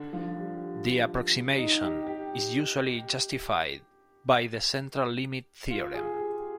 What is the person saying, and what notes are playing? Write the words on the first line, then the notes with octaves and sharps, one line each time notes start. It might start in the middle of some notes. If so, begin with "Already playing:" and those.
The approximation is usually justified by the central limit theorem.
Already playing: D3
F3
G3
D#4
G4
G4
G4
F4
G#4
G4